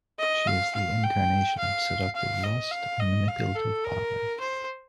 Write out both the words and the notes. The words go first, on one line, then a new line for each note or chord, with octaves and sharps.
She is the incarnation of seductive lust and manipulative power.
D#5
F5
F5
G5
F5
F5
D#5
F5
D#5
F5
A4
A#4
C5